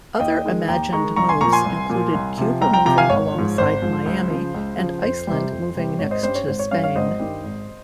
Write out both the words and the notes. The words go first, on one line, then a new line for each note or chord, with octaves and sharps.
Other imagined moves included Cuba moving alongside Miami, and Iceland moving next to Spain.
F5
D#2 D#5 G5
D#3 G#3
D#2 G5 A#5
D#3 G#3 A#5 C#6
C2 A#5 C#6
G#5 C6
A#2 F3 A#5 C#6
G#5 C6
C2
A#2 F3
C2
C3 F3
C2 G5 A#5
G5 A#5
C3 F3 G5 A#5
F5 G#5
G#1 C#5
G#2 F3
G#1 C5
G#2 F3
C#2
C#3 F3
C#2
C#3 F3
F2 C5
C3 G3
F2
C3 G3
G#1 C#5
C5 D#5
G2 G3 C#4 C5
C#5
G#1 C5
C#5
G2 G3 C#4 C#5 F5
C#5 F5
G#1 C5 D#5
G2 D#3 G3
G#1